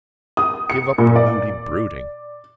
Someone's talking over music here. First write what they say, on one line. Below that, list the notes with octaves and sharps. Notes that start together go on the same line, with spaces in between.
Give up the moody brooding.
D#6
C#7
A#2
D5